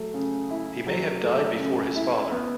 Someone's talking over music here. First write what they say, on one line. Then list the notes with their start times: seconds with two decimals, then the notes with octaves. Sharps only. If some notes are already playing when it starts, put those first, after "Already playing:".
He may have died before his father.
Already playing: F#3 A3
0.14 C#3
0.50 E4
0.87 F#3
1.23 A3
1.59 C#3
1.96 E4
2.32 B3